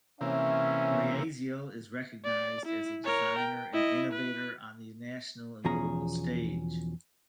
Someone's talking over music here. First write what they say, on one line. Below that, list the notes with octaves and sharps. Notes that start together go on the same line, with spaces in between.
Breazeal is recognized as a designer and innovator on the national and global stage.
C3 E3 A#3 C#4 E5
D5
E4
A#4 C#5
G5
E4 D#5
B4
E2 B2 F3 C#4 G#4 A#5